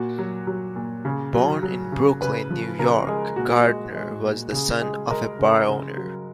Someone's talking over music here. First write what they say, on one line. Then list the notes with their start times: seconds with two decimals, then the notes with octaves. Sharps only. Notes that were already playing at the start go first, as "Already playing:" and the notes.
Born in Brooklyn, New York, Gardner was the son of a bar owner.
Already playing: A#2 F#4
0.19 F#3
0.47 F#3
0.76 A#2
1.05 C#3
1.34 F#3
1.63 F#3
1.92 C#3
2.22 C#3 B4
2.51 F3
2.79 C#3 A#4
3.07 G#3 G#4
3.36 A#2 F#4
3.65 G#3
3.95 G#3
4.24 A#2
4.52 C#3 G#4
4.81 G#3 G#4
5.10 G#3 A#4
5.39 C#3
5.69 C#3
5.97 F#3